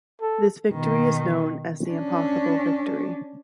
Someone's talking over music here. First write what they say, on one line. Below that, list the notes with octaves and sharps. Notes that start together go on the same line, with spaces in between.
This victory is known as "The Impossible Victory".
A4
B2 D#3
C#4 D4